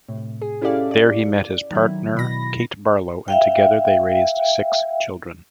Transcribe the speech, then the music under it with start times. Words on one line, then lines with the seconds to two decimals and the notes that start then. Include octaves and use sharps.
There he met his partner, Kate Barlow and together they raised six children.
0.08 A2 C3
0.42 G#4
0.61 C#4 E4 G4 A4 D5 F5
0.91 D5
1.71 D#3 F#3 E4
2.14 B2 B5 A#6
3.28 E5 F5 G5